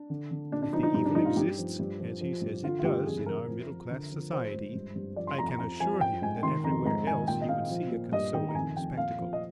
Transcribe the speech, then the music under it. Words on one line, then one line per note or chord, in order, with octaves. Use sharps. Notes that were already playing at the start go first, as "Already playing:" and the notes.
If the evil exists, as he says it does, in our middle-class society, I can assure him that everywhere else he would see a consoling spectacle.
Already playing: D4
D3
D3
A#2 D4
D4
F3 D#4
D#4
G2 D#4
D4
G2 D#4
F4
G2 G4
F3
G2
F3
F3
G2
D3 F4
F4
G2 G4
F2 G#4
F2 A#4
F3
F3
D3
F3
F3 C5
G#2
G2
G2
F3 D5
C6
F2 A#5
A#5
F3 A#5
F3 G#5
F3 G5
G#2 G#5
D#3 C6
F2 A#5
G#2 A#5
D#3 G#5
A#2 G5
D#5
A#2 F5
F3
A#2
G2 D#5
D#3 G5
A#5
F2 G#5
F2 G5
A#2 F5
F3
D#5